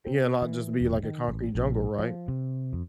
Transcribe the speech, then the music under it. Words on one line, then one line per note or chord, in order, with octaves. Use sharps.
yeah, not just be, like, a concrete jungle, right,
C4
E3
E1
D#3
A1
A#1
F3
C3
F2